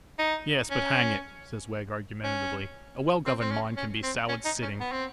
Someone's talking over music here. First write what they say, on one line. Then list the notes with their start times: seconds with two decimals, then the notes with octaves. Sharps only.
'Yes, but hang it,' says Wegg argumentatively, 'a well-governed mind can be soured sitting!
0.19 D#4
0.71 C#4
2.24 C#4
3.26 C4
3.40 C4
3.51 C#4
3.77 C#4
4.03 C4
4.29 C#4
4.45 D#4
4.62 C#4
4.80 B3
4.92 C4